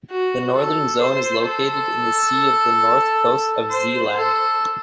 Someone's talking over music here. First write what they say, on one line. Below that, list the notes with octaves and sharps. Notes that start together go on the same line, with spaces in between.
The northern zone is located in the sea off the north coast of Zeeland.
F#4
A4
C5
A4
C5
A4